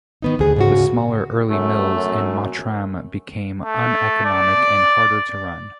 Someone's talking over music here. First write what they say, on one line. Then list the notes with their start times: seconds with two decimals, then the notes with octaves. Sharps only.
The smaller early mills in Mottram became uneconomic and harder to run.
0.22 D#3 B3 D#4
0.39 D2 G#4
0.56 G#2 C#3 F#4
1.50 F#2 A3
1.96 F#2
3.65 A3
4.25 D5